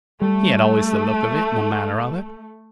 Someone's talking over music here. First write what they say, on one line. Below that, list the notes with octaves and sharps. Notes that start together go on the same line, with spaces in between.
'He had always the look of it, and the manner of it.'
G3 A3